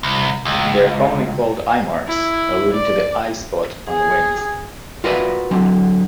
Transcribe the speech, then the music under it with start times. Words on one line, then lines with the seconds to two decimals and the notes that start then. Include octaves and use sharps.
They are commonly called eyemarks, alluding to the eyespot on the wings.
0.03 C2
0.45 C#2
2.07 E4
2.73 D5
3.89 G#4
5.04 F4 F#4 A#4 B4 D5 E5
5.51 D3 F#3 C4